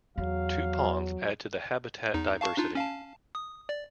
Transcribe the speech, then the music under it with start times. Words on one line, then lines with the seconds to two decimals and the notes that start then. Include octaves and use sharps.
Two ponds add to the habitat diversity.
0.18 E2 F#3 F5
2.14 E2 D#4
2.41 F5 A5 C#6
2.57 D4 D#4 F4
2.75 C#4 F5 A5
3.35 D#6
3.69 D5